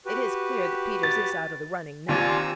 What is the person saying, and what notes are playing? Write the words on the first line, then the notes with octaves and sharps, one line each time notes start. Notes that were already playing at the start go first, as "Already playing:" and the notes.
It is clear that Peters is out of the running now.'
F#4 G4 B4
A6
D#2 C4 F4 D5 G#5 A#5 E6